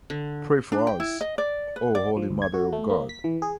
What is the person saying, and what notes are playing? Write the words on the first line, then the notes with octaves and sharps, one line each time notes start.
Pray for us, O' Holy Mother of God.
D3
D4
G5
E4
D#5
D5
B4
D5
F3
D2
G#6
F#4
A3
A#3
B6
E3
G#4